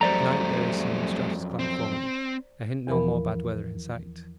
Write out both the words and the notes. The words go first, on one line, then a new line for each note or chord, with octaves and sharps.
To-night there is some stratus cloud forming--a hint no more bad weather in sight.
F2 F#3 G3 A3 C5 D5 A#5
C4
E2 E3 F3 A#4 B5